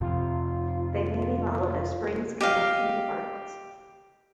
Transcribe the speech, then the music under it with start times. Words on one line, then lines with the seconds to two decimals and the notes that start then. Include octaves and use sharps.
They may be modeled as springs connecting the particles.
0.01 F2 C3 F4
2.41 G4 D#5 F5